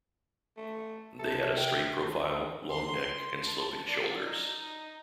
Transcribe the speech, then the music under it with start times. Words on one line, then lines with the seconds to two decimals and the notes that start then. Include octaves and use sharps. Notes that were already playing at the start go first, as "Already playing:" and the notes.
They had a straight profile, long neck, and sloping shoulders.
0.57 A3
1.19 C3 A4
1.57 G5
2.71 C6
3.43 A5
3.87 D5
4.23 D#4